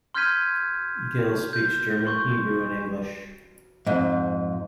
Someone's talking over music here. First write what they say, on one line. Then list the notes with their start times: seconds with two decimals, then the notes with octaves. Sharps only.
Gil speaks German, Hebrew, and English.
0.14 C6 F6 G6 G#6 B6 D#7
1.53 G6
2.07 C6 C#6 G6
3.87 F2 G#2